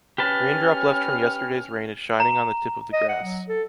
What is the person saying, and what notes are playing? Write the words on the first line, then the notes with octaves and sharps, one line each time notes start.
Raindrop left from yesterday’s rain is shining on the tip of the grass.
C#4 G4 B4 A5 F6
A#5
D#5
F#5
F#3
A4